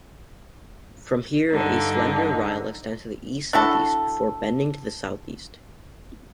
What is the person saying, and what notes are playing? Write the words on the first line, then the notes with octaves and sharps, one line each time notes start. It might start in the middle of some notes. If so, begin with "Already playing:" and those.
From here a slender rille extends to the east-southeast before bending to the southeast.
G2 D3 D#4
D4 E4 F#4 A4